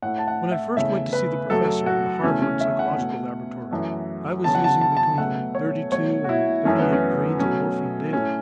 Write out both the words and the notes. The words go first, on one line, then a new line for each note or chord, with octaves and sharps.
When I first went to see the professor in the Harvard Psychological Laboratory, I was using between thirty-two and thirty-eight grains of morphine daily.
A2 A3 F#5
A5
F#5
E5
E2 C#3 A3 E5
B4
F#2 F#3 A3 A4
F#4
E2 C#3 E3 A3 C#4
C#4
E5
F#5
B2
A3
F#2 E3 A3
E2 C#3 F#3 A5
F#5
A5
A5
A5
B2 F#3 A3 F#5
C#5
B2 F#3 A3 C#5
F#4
E4
F#2 E3 A3 C#4
B3
C#4
B2 F#3 A3 C#4
A2 A3 C#4